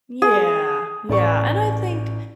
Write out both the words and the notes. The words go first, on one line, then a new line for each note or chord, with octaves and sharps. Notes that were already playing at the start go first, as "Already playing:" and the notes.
Yeah, yeah. And I think
G#4
A1 D5 C#6